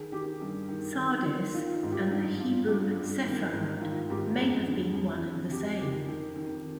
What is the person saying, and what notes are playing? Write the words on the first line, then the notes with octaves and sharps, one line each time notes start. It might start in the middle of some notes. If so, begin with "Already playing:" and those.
Sardis and the Hebrew Sepharad may have been one and the same.
Already playing: D#3 G#4
D#3 G4
G2
D#3
D#3
D#3
D#3 F4
D#4
G#2
G4
G2 D#4
G2 F4
G2 G4
G2
D#3
G#2
D#3 F4
G#2 G4
F2 G#4
D3
F2
F2
F2 G4
D#3 G4
D#3
D#3